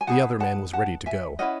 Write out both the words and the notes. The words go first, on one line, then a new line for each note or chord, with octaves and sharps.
The other man was ready to go.
G#5
D#4 G#4 B4 F#5 A5
F#5 A5
F#5 A5
E5 G#5
C#4 E4 B4 D#5 F#5